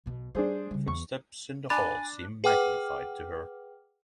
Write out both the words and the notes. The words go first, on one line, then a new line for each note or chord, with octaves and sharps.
Footsteps in the hall seem magnified to her.
B1 B2
G3 D4 G#4 C5
C#3 G3
E2 C#6
D4 G#5 B5 A6
G#4 B4 F#5 G5 D6 F6